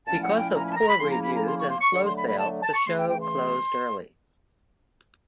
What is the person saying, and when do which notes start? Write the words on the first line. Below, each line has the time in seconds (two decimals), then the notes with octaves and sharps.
Because of poor reviews and slow sales the show closed early.
0.07 A#2 F3 A3 C#4 E4 A5
0.23 F#5
0.38 G5
0.53 A#5
0.65 B5
0.71 A5
0.77 A#5
0.89 B5
1.00 C#3 F3 A#3 C#4 E4 C6
1.11 A#5
1.23 B5
1.35 A#5
1.47 C6
1.58 C#6
1.69 C6
1.81 C#6
1.93 D3 F#3 A3 C#6
2.05 C6
2.16 B5
2.28 B5
2.39 A5
2.63 A5
2.74 C#6
2.85 C#3 E3 A3 C6
2.98 G5
3.09 G5
3.20 C6